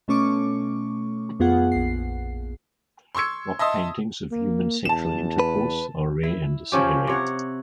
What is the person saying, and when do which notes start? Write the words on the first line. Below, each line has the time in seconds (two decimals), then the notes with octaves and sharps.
Rock paintings of human sexual intercourse are rare in this area.
0.08 B2 A3 C#4 C#6 D6
1.40 F2 B3 F4 G#4 F#5
1.72 A#1 C7
3.15 C6 C#6 E6 G#6 C#7
3.59 D#5 E5 A5 C6 D#6
4.31 A#3
4.85 E2 A5 E7
5.39 B4
6.23 E4
6.72 C#3 F3 C#4 G4
7.07 C3 C#5 F#5